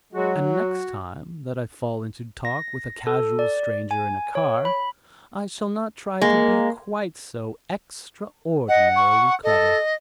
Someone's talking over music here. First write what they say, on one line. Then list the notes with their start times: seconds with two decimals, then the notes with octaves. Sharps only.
And next time that I fall into talk with a casual stranger in a car, I shall not try to be quite so extraordinarily clever.
0.13 F#3 G#3 F#4
0.43 F#4
2.45 A#6
3.07 A4
3.39 D5
3.91 G#5
4.35 C#5
4.65 B5
6.21 G#3 A#3
8.68 D#5 F#5
8.95 C#6
9.43 A4 D#5